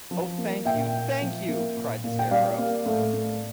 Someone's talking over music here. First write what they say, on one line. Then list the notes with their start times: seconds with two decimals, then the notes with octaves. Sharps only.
Oh, thank you — thank you! cried the Scarecrow.
0.11 F3
0.38 A#3
0.65 A#2 E5 G5
0.93 A#2
1.21 F3
1.48 A#3
1.77 A#2
2.04 A#2
2.19 G5
2.31 G3 D5 F5
2.58 A#3
2.86 A2
3.13 A2